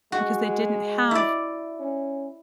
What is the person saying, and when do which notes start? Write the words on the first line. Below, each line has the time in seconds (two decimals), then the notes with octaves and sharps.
because they didn't have
0.12 G#3 F#4
1.11 E4 D5
1.80 C#4